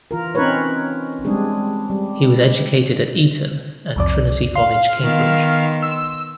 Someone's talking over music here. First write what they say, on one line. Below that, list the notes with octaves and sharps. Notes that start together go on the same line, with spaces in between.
He was educated at Eton and Trinity College, Cambridge.
E3 F4 A#4
C4 C#4 D#4 A#4 B4 C#5
G3 G#3 C4 D4 G#4
G3
C2 F2 D5
F5 C6
D#3 B3
E6